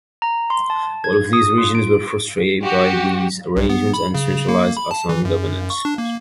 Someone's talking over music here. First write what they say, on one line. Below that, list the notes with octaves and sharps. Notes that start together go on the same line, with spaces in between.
All of these regions were frustrated by these arrangements and centralized Assam governance.
A#5
C6
A5
G#6
D#6
F4
D7
F#4 G4
B1
B3
B5
C#3
A#3
B5
A5
E3
F#2
C#6
D4
A#3